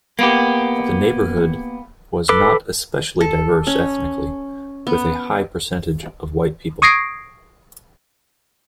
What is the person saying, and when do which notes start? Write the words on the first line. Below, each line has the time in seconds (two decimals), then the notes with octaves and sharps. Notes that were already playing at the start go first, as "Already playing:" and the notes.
The neighborhood was "not especially diverse" ethnically, with a high percentage of white people.
0.19 A#3 B3 G4
2.29 A4 B4 D6
3.21 A4
3.67 C#4
4.87 B3
6.82 C#6 D#6 G#6 A#6 C7 D7